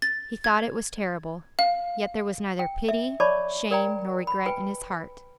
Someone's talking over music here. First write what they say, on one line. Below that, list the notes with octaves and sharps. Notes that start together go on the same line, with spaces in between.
He thought it was terrible, yet there was neither pity, shame nor regret in his heart.
A6
G#6
F5
G5
E5
C#5 D5 A5 B5 C#6 D6
A#4 D5 G5 G#5 A#5
B5
B4 G5 G#5